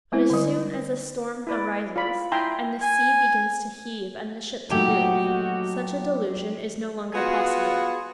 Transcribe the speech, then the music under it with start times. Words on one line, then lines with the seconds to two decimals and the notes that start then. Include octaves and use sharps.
But as soon as a storm arises and the sea begins to heave and the ship to move, such a delusion is no longer possible.
0.12 G#3 C4 E4 C5
0.30 D3 G3
1.47 E4 B4 D5
1.96 F4 D5 B5
2.32 E4 E5 G5 G#5 A#5 C6
2.82 G#5
4.71 A#2 F#3 A3 D#4 F#4 G4
7.13 B3 F4 F#4 G#4